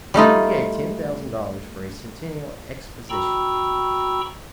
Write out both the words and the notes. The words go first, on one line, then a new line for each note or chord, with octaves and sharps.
He gave ten thousand dollars for a Centennial Exposition.
G3 A3 D#4 F4
F#4 G5 A#5 B5 C#6 E6